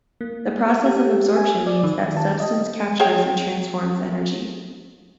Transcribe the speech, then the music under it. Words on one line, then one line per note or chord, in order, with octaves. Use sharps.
The process of absorption means that a substance captures and transforms energy.
A#3
G4
G#5
D5
D#3
A5
D#5
G#4 C#5 G5